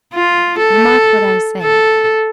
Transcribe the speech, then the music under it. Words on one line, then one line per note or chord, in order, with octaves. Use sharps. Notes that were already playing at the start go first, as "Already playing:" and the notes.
You mark what I say.
F4
A4
A4